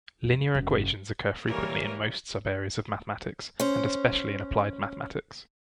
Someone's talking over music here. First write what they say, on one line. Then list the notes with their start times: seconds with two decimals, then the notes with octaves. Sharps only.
Linear equations occur frequently in most subareas of mathematics and especially in applied mathematics.
0.23 F2
0.55 F#1
1.47 E3 G3 A#3 A#4 C#5
3.60 C#4 C5